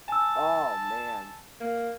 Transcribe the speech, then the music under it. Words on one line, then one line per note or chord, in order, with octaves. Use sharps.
Oh, man.
G#5 A5 E6
A#3